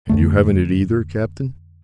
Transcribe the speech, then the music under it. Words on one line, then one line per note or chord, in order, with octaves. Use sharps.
"And you haven't it either, captain?"
F2 D3 A3